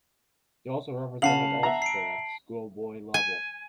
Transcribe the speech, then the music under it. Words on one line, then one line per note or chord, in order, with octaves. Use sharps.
He also represented Ulster at schoolboy level.
C#3 F5 F#5 A5 C7 F#7
E5 F#5 A#5
C7 D7
G#5